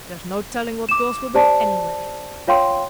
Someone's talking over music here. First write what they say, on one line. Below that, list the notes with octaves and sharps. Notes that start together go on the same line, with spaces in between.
There's no telling what girls will do anyway.
D6 E7
G4 C5 D5 A5
F4 C#5 F5 G5 C6